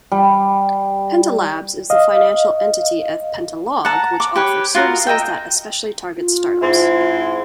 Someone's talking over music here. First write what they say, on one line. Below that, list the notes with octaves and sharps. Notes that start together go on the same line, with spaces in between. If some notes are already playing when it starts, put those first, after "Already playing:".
Pentalabbs is the financial entity of Pentalog which offers services that especially target start-ups.
G3
D#5 F5
F#5 A5 A#5
D6
G4 B4 C#5
F4 F#4 A#4 D#6
A#4 D#5 E5 G5
F4
G#2 C4 E4